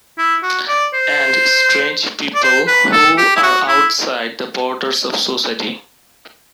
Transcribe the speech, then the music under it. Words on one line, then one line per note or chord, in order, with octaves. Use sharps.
And strange people who are outside the borders of society.
E4
F#4
D5
C5
D5
C5
B4
A4
G4
E4
F#4
E4